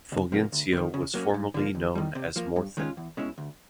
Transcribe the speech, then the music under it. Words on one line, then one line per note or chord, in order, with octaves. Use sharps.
Fulgencio was formerly known as "Morthon".
C#2
C3 F3 A#3
D2
C3 D#3
C#3
F#3 A#3 C#4
G2
D3 F3 A#3
D#2
D#3 G3
C3
F3 A#3
G2
D#3 G#3 C#4 F4
E2
B2 G#3 C#4 E4
D2